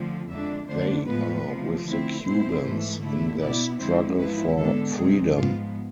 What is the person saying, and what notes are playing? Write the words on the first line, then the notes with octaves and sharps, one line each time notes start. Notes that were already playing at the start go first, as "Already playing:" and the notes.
They are with the Cubans in their struggle for freedom.
Already playing: D3 F3 A3 C4
F2 D3 G#3 D4 E5
F2 D3 A3 D4 C5
A2 F3 G#3 B3 B4
C3 F3 A3
D3 A3 C4 E4
B2 G#3 C4 E4 C5
G#2 E3 A3
D3 A3 E4
B2 B3 E4 D5
F2 D3 G#3 C4 E4 C5
G#2 F3 B3 E4 B4
D3 G#3 B3 D4 A4
C3 G#3 C4 G#4
G#2 F3 G#3 B3 F4